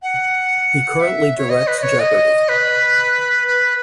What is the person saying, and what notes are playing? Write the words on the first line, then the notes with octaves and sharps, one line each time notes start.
He currently directs Jeopardy!
F#5
E5
C#5
D#5
B4
D#5
C#5
D#5
B4
B4